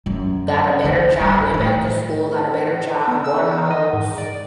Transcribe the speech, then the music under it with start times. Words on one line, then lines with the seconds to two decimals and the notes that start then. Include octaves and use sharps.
Got a better job, went back to school, got a better job, bought a house,
0.06 F#2 F#3
0.84 D3 D#3
1.20 G2 G3
1.54 A2 D#3
3.08 B3
3.24 E6
3.41 E3
3.71 D#5
3.93 G#2
4.18 D5